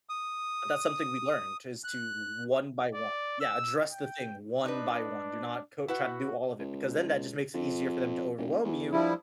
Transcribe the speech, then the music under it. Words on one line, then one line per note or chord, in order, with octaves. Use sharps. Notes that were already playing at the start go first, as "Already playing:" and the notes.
That's something we learned is to one by one Yeah, address the thing one by one, do not coat try to do all of it because then that just makes it easier for them to overwhelm you
D#6
F#6
D5
E6
G5
D4 D#4 B4
E4 F#4 B4 F#5
C#2
F2
E1
E2
G2 F3 G3 E4